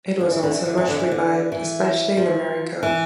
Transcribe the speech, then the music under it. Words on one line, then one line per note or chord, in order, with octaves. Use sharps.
It was also much revived, especially in America.
D3
E3
D3
E3
D3
E3
D3
E3
D3
E3
F3
E3